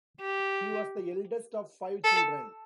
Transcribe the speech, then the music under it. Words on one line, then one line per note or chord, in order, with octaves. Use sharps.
He was the eldest of five children.
G4
A4